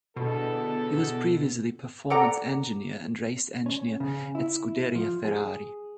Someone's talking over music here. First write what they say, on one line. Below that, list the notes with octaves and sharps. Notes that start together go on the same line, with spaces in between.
He was previously Performance Engineer and Race Engineer at Scuderia Ferrari.
E2 B2 D3 B3 A4
A4 D5 F#5 A#5
C#4
C#3
E4
F3
G#4